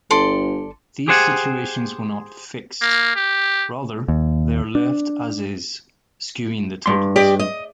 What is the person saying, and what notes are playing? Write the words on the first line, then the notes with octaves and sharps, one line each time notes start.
These situations were not "fixed"; rather, they are left as-is, skewing the totals.
G1 A4 D5 C6
G4 G#4 C5 F#5 G#5
A#3
G4
D#2
D4
G2 C6
G4 D5 D#5
D#5